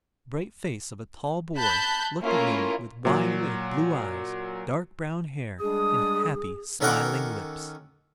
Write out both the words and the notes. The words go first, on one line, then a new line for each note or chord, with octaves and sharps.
The bright face of a tall boy looked at him with wide-awake blue eyes, dark brown hair and happy, smiling lips.
A5 B5 F#6 G6 B6
A3 A#3 C#4 E4 F4 A#4
A#2 F#3
G3 G#3 D4 G#4 D#6
D#3 C#4 A4 A#4 F#5 D6